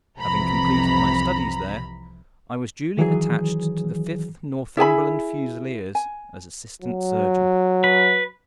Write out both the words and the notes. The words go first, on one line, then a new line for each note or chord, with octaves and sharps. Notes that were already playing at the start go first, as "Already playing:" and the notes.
Having completed my studies there, I was duly attached to the Fifth Northumberland Fusiliers as Assistant Surgeon.
C2 F2 C3 E3 A#5 B5
D#3 E3 F#3 G#4
E4 G#4 G#5 B5
G#5
F#3
B4